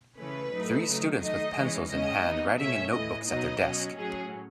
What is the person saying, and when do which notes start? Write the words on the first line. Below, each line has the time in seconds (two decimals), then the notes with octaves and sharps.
Three students with pencils inhand writing in notebooks at their desks.
0.18 C#3 E3 A3 C#4 B4
0.52 A2 F#3 A3 D#4
0.87 C#3 F#3 A3 D#4
1.21 D#3 A3 D#4 D#5
1.56 E3 G#3 C#4
1.90 C#3 G#3 C#4 D#5
2.24 E3 B3 D#4
2.59 B2 A3 C#4 E5
2.93 A2 E3 A3 D#5
3.28 B2 F#3 B3 D#4 D#5
3.62 B2 F#3 C#4
3.97 A2 F#3 C#4 G#4